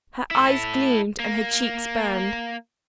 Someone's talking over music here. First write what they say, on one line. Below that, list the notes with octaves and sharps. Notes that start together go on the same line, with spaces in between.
Her eyes gleamed and her cheeks burned.
E4 A4
A#3